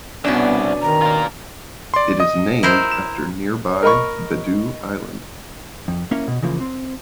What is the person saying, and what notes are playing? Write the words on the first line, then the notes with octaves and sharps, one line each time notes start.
It is named after nearby Bedout Island.
C2 B2 B3 C#4 D4
D#3 A#5
F4 A#4
D5 C6
D#5 D#6
E4 A#4 C5
E7
A#4 D#5 B5 C#6
F2
A#3 C#4 E4 C#5
B2
C#3 E3 F3 A#3
C4